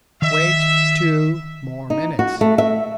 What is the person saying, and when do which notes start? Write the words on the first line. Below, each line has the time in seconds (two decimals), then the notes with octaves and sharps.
"Wait two more minutes."
0.22 D#3 D#5 E5
1.90 D#4
2.19 F#4
2.41 A3
2.58 E5